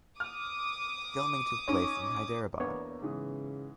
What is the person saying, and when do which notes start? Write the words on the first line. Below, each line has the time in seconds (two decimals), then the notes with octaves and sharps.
Filming took place in Hyderabad.
0.20 D6 D#6 F6
1.68 C#4 D#4 C#5
2.60 E2 A#3 B3 D4 C#5
3.02 G#2 C#3 E3 D#6